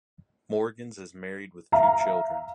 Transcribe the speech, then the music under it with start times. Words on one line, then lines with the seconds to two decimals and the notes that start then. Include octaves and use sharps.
Morgans is married with two children.
1.72 E5 F5 A#5